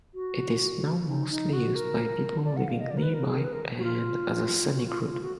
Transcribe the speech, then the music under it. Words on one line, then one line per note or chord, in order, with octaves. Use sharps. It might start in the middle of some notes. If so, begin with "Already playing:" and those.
It is now mostly used by people living nearby and as a scenic route.
F#4
D#4
D#4
F#4
A#4
D5
F#5
F5
D#5
D5
A#4
B4
A#4
G#4
A#4
B4
A#4
F#4
F4
F#4
F4
F4
F#4